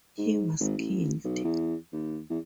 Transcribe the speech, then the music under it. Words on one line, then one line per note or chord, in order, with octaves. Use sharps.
Hill was killed.
G#2
G#1
A1
B1
E2
D#2
E2